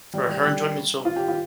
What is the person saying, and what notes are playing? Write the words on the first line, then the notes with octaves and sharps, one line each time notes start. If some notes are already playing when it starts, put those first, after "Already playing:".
for her enjoyment, so,
G3
G3
G3
F4
G4
F4